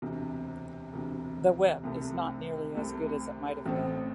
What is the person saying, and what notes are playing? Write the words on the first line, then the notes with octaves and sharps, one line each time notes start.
"The Web" is not nearly as good as it might have been.
E1 D2 C3
E1 D2 C3
C2 C3 A3
C2 C3 A3
A1 A2 A3 C4